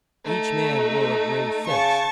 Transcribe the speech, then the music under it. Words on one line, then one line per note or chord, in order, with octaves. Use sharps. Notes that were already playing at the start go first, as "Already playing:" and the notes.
Each man wore a grave face.
A3 D#4
C#3 A5 C#6